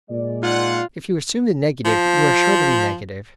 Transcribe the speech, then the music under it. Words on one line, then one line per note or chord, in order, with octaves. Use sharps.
If you assume the negative you are sure to be negative.
A#2 G#3 D5
G#2 F4 F#5
F3